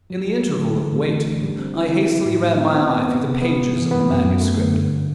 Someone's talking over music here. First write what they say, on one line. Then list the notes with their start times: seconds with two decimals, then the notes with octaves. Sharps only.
In the interval of waiting, I hastily ran my eye through the pages of the manuscript.
0.10 F#3
0.27 F#3
0.42 A3
0.60 D3
0.76 E3
0.93 A3
1.09 E3
1.26 D4
1.43 G3
1.59 C4
1.75 E4
1.92 E4
2.08 F#3
2.25 A2
2.42 A2
2.58 C4
2.75 B3
2.92 B3
3.09 B3
3.25 C3
3.42 B3
3.57 E3
3.75 E3
3.91 B3
4.07 F#2
4.25 F#2
4.41 A3
4.57 D3
4.74 G2